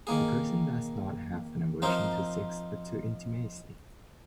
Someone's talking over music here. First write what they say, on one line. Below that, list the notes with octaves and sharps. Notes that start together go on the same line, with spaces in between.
The person does not have an aversion to sex but to intimacy.
D#3 A#3 G#4
F3 C4 D#4 A#4